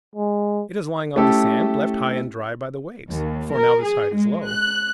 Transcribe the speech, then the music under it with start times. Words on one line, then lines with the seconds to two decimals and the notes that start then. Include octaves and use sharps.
It is lying on the sand, left high and dry by the waves, for now the tide is low.
0.16 G#3
1.16 A3 C#4 E4 G4 A4
3.08 D#2
3.52 A#4
3.83 G#4
4.14 G#3
4.48 F#6